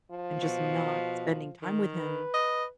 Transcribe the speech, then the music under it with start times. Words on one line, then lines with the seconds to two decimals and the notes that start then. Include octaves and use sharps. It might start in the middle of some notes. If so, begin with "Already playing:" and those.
and just not spending time with him,
0.11 F3
0.42 B2
1.62 D#3
1.97 B4
2.34 D#5